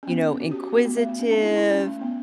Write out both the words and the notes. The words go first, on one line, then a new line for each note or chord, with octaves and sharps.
you know, inquisitive.
C#4
B3
C#4
D4
F#4
G4
F#4
B3
B3
A3
B3
C#4
D4
E4
E4
C#4
A3
B3